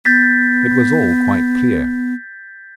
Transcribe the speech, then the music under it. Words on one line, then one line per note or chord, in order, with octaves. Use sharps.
It was all quite clear.
B3 G6 A6 B6